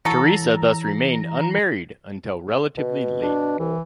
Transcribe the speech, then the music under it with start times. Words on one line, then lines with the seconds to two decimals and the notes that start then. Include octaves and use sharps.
Theresa thus remained unmarried until relatively late.
0.05 E3 F#3 A4 A#5
2.78 B2
3.20 D4
3.59 C2 E3